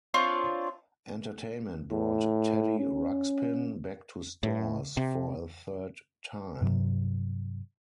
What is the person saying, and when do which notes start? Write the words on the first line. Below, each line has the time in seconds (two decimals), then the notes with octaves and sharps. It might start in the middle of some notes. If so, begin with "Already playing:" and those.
Entertainment brought Teddy Ruxpin back to stores for a third time.
0.14 C4 D4 F4 C#5
1.91 A2
2.79 C#4
4.43 A2
4.97 C3
6.62 G2 C3 F#3